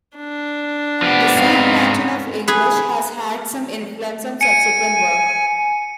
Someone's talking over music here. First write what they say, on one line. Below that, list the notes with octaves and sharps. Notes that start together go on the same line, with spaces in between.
"The Sound Pattern of English" has had some influence on subsequent work.
D4
F3 B3 G4
G#2 C4 D#4 F5
G#4 B4
G#5 C#7 D#7